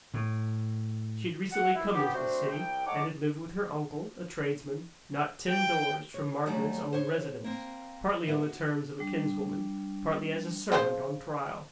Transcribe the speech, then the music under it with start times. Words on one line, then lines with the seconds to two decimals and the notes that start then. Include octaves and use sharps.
She had recently come into the city, and had lived with her uncle, a tradesman, not ten doors from Margaret's own residence, partly on the terms of a kinswoman, partly as a servant on trial.
0.14 A2
1.52 F#5
1.75 E4
1.93 F#3 B3 F#4 G4
2.14 A3 C4 D4 F#4 C5
2.50 C2 G5
2.85 D#4 A4 C#5 F#5 D6
5.48 G5
6.14 C#5
6.46 D#2 F#3 G3 A3 D#4 D5
6.93 C5 C#5
7.44 A#3 C4
8.27 G3 B3 E4
8.43 F#4
8.99 G3 D4
10.72 C#3 F3 C5